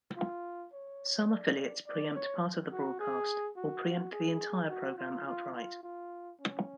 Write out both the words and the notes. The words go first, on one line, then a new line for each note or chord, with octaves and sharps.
Some affiliates preempt part of the broadcast or preempt the entire program outright.
F4
C#5
D5
D5
C#5
F#4
G#4
F#4
G#4
F#4
F4
F4
F4
F4
C#4